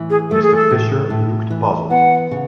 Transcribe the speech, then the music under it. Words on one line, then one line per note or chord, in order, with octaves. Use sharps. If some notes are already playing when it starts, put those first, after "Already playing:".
Mr. Fisher looked puzzled.
Already playing: A2 E3
G#4
A3 A4
G#4
A4
A2
A2
E3
B3 F#5
C#3